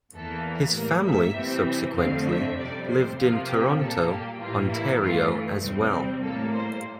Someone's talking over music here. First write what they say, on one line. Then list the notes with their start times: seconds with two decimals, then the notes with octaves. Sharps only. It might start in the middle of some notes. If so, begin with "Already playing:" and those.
His family subsequently lived in Toronto, Ontario as well.
0.14 E2 E3 A#3 A4
0.74 A2 G3 A#3 A#4
1.05 E5
1.35 C3 E3 G3 C4
1.96 F2 D3 A3 C4 F5
2.27 E5
2.57 F2 C3 G3 D5
2.88 C5
3.18 C3 F3 A#3 F4
3.48 G4
3.78 A#2 G3 A#3 A4
4.09 G4
4.39 A2 E3 G3 A#3 F4
4.70 E4
5.00 G2 E3 A3 F4
5.61 E2 C3 G3 C4
6.21 A2 G3 A#3 A4
6.52 C5